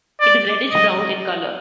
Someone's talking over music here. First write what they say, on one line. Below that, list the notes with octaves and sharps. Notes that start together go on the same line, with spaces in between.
It is reddish-brown in color.
D5
D#5